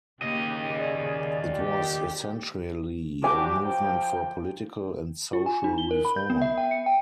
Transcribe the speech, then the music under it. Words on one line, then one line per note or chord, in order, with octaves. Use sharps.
It was essentially a movement for political and social reform.
D#2 C#3 A#3 G4 D#5
G#4 D5
G4
D4 F#4 G4 G#5 D6
F3 G5
F4
G#5
D#4
G7
A#4
B5
G6
B3
E5
G5
C#7
G5